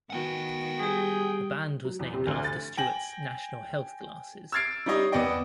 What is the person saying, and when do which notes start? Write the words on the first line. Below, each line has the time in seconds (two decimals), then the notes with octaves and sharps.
The band was named after Stewart's National Health glasses.
0.10 D#3 B3 F#4 F#5 G5
0.79 G3 G4 G#4
1.85 F#3
1.99 E2
2.13 C3
2.27 D2
2.44 A6
2.77 G5 G#5 A#6 F#7
4.52 E6 F6 G#6 A6 C7 D7
4.86 G3 D#4 C#5 D#5
5.12 E2 B3 D5 D#5 G5